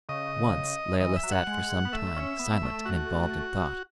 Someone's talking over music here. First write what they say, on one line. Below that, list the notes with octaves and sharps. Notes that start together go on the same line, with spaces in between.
Once Layelah sat for some time silent and involved in thought.
C#3 D#5
E3 D#5
E5
F#3
F#5
G#3
B3
A3 E5
C#4
B3
A3
F#4